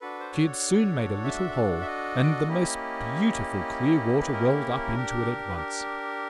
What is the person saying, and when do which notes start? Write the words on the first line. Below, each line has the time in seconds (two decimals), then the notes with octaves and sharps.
She had soon made a little hole, and the most beautiful clear water welled up into it at once.
0.01 D4 F#4 A4 B4
0.20 C5
0.32 C#5
1.24 E5
1.82 E5
1.87 D#5
2.48 A#3 C#4 E4 G4
4.22 B4
4.33 A#4
4.94 D4 G4
5.49 B4
5.57 A#4